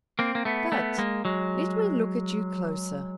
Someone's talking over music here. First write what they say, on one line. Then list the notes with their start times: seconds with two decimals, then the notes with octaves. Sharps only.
But let me look at you closer.
0.19 A#3 C4
0.35 A#3
0.45 A3 B3
0.72 A3 B3
0.98 G#3 A#3
1.25 F#3 G#3